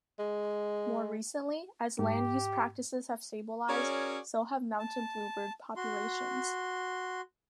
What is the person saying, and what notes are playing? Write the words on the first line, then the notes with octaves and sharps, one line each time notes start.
More recently, as land-use practices have stabilized, so have Mountain Bluebird populations.
G#3
G#2 G4
C#4 F#4 G#4 A#4 C#5 D5
A5
F#4 C6